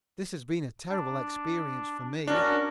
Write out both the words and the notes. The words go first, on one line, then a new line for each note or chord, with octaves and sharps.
"This has been a terrible experience for me."
D4
C#4 D4 F#4 A#4